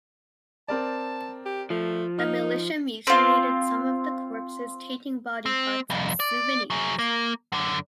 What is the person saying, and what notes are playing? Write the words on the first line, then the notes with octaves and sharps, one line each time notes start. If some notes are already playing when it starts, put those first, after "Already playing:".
The militia mutilated some of the corpses, taking body parts as souvenirs.
C4 A#4 D5 A5
G4
F3 A3
D#4 F6
C4 F4
C4
C2 F2
D5
F#3 G#4
A#3
F#2 D3